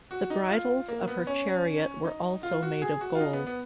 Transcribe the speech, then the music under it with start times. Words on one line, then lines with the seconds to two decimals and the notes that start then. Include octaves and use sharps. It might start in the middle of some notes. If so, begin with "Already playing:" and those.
The bridles of her chariot were also made of gold.
0.11 F#4
0.30 D#4
0.50 F4
0.88 A#3
1.08 B3
1.27 C#4
2.05 D#4
2.43 F4
2.62 F#4
2.82 G#4
3.01 F#4
3.15 F4
3.20 D#4
3.33 B3
3.47 B3